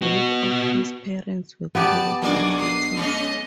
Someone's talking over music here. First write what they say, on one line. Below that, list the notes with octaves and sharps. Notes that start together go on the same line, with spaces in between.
Both of his parents were college athletes.
B3 F#4
B3 G4 D5 A5
B1 F3 A#3 D4 D5 G#5
D#6 C7
G#3 C#4 D#5